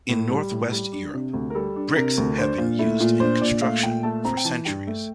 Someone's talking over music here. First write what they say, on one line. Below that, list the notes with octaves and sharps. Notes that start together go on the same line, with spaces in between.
In Northwest Europe, bricks have been used in construction for centuries.
A2
G3
A2
G3
D4
C3
D2
A#4
G3 A4
D4
C3 A#4
D2
D4 C5
A#2 F4
A3 E4
A#2 F4
D4 C5
A#2 D5
A3 F5
A#2 G5
A3 A5
C4 A#5
G5
E3 A5
G2 G5
A3